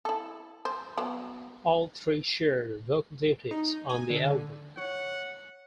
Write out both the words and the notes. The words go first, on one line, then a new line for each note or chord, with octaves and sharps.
All three shared vocal duties on the album.
E4 A4
C5
F#3 B3
D#4
G#5
D3
C#5 F#5